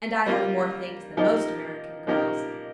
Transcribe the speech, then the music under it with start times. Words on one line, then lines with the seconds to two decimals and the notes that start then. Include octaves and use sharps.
And I have more things than most American girls.
0.26 G3 A#3 F4
1.17 F3 A#3 D#4 G4 A#4
2.07 F3 A#3 D#4 G4 A#4